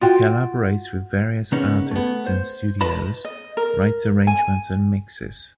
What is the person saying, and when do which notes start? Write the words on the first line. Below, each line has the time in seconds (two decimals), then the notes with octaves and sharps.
He collaborates with various artists in studios, writes arrangements and mixes.
0.01 F4 F#4 G5
1.52 C#3 A#3 B3 C#4 D#4
1.91 A3 B3
2.27 C5
2.81 B4 D#5 A5 B5
3.25 D#5
3.57 A#4
4.27 G#5